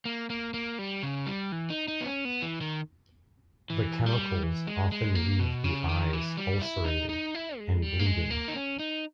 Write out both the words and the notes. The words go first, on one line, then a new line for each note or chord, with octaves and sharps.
The chemicals often leave the eyes ulcerated and bleeding.
A#3
A#3
A#3
G3
C#3
G3
E3
D#4
D#4
B3
C#4
B3
E3
D#3
E3
G3
E3
G#3
G#3
A#3
B2
C#3
D#3
E3
G3
E4
D#4
D#4
E4
G#3
G3
A#3
G#3
A#3
D#4
C#4
D#4